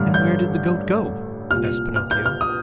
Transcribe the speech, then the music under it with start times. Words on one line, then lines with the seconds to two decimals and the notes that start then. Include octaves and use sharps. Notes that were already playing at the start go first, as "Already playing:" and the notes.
"And where did the Goat go?" asked Pinocchio.
Already playing: A1 G2 D3 F6
0.14 G6
1.51 C2 A#2 F6
1.96 F6
2.11 G6
2.26 F6
2.41 D#6